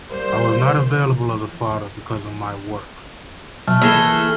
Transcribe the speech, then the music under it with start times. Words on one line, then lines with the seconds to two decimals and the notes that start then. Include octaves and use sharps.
I was not available as a father because of my work.
0.10 G3 A#3 C5
3.68 B2 F#3 A3 F6
3.82 E3 A#3 G#4 A4 E6 A#6 G7